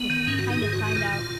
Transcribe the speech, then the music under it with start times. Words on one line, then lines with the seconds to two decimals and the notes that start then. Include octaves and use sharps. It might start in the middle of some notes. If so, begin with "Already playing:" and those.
if kinda find out
Already playing: B3
0.10 D#3
0.27 G#2 C#4
0.38 F#4
0.44 D#3
0.50 D#4
0.61 G#2 G#4
0.73 F#4
0.79 D#3
0.84 F#4
0.96 A#2 F4
1.13 A#2 F4